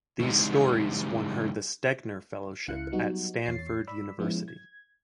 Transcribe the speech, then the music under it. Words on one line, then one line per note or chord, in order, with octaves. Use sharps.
These stories won her the Stegner Fellowship at Stanford University.
C#3 E3 G3 G#3 C4 D#4
C#2 C#3 E4 F5 F#6 C#7
F#3 G3 B3 D#4 F#4
E2 C#5 A6 C7
D5 B5 E6
F3 G#3 B3 C#4 E4
G#6